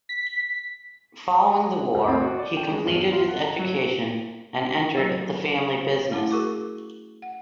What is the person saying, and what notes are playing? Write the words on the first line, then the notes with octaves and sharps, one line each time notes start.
Following the war, he completed his education and entered the family business.
B6
D2
C4
F#4
D5
G5
G#3
E2
F4
F#5
A#5
F#3
F#3
A3 C#4 E4 F#5
F#4 G#4 A#4 C#6 D6
F#5